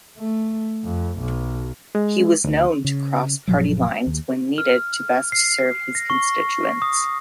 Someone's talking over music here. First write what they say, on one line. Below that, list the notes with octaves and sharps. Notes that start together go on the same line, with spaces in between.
He was known to cross Party lines when needed to best serve his constituents.
A3
F2
B1
G#3
D2
C#3
F#1 A#2 F3 F#3
D#2
F6
C7
A#6
C#6
D#6